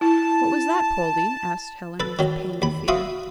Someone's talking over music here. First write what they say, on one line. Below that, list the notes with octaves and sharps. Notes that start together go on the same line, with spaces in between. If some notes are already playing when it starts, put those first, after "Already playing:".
"What was that, Poldie?" asked Helen with a pang of fear.
E4 A5
A4 B4
D#3 F#3
D#2 B5
F#4 E5 F5 C6 D#6